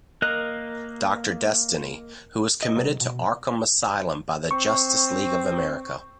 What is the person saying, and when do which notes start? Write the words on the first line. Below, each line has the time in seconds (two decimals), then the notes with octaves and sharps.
Doctor Destiny, who was committed to Arkham Asylum by the Justice League of America.
0.22 A#3 A#4 D#5 F#6
2.63 D#5
2.77 C2
3.01 B2
4.51 C4 C#6